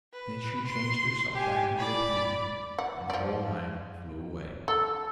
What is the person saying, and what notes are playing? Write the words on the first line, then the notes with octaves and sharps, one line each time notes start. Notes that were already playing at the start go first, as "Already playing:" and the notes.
Then she changed herself back into a pea-hen, and the whole nine flew away.
B4
C6
G4 G#5
D5 B5
F#5
F3 D5
A4